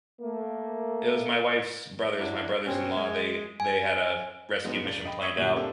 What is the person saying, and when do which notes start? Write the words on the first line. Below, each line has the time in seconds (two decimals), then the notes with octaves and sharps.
it was my wife's brothers my brothers-in-law, they they had, uh, rescue mission planned out
0.21 A3 A#3
2.18 F#3 D4 E4
2.67 B2 C4 C#4
2.96 G#3
3.60 G#5
4.64 F#3 G#3 B3 C#4 D#4
4.85 E1 D4 A6 F#7 G7
5.05 D#5 G5 B5
5.21 E5 C#6 D#6 G#6 B6 C#7
5.37 D2 A#2 G3
5.56 A#3 C4 D4 G4 A4 E5